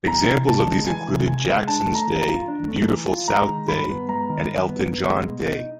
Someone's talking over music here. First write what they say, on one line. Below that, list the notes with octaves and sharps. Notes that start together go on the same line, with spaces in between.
Examples of these included "Jacksons Day", "Beautiful South Day" and "Elton John Day".
E3 A#5
C3
C#2 A5
G#3
E3 G#5
C3
C#2 G#5
G#3
D4 A5
A3
A#5
E3
A#5
F4
D4
A3
E3
F4
G#3 A#5
D#3
G2 B5
B3
G#3 A#5
D#3
G2
B3
B3
G#3
B2
D#4